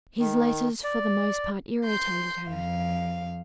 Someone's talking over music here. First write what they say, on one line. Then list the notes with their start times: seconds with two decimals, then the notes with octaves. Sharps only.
His letters for the most part irritated her.
0.19 D#3
0.84 D5
1.85 C6 G6
2.49 F2 F5